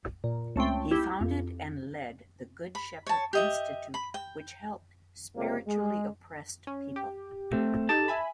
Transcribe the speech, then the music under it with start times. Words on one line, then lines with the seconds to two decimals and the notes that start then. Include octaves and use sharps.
He founded and led the Good Shepherd Institute which helped spiritually oppressed people.
0.24 A#2
0.56 C#2 A3 C4 G5
0.91 E4 G4
1.21 F2
2.75 B5
3.06 C#5 A5
3.33 G4 D#5 E5
3.94 B5
4.14 G5
5.36 C#2 C3 G3 A#3
5.67 G#3
6.67 C#4
6.96 G4
7.53 A3 C4
7.89 D#4 G4 A4 A5
8.08 E5 G#5 B5